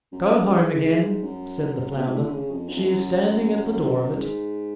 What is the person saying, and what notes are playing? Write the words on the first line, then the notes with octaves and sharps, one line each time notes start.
"Go home again," said the flounder; "she is standing at the door of it."
F#2
G#2
F#2
B2
G#2
A2
D3
C#3
F2
F#2
F2
F#2
G#2